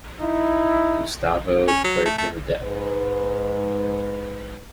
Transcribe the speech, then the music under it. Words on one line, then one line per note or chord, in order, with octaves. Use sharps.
Gustavo Kuerten def.
D#4 E4
C#4
F#3
A3
A3
G#2 B4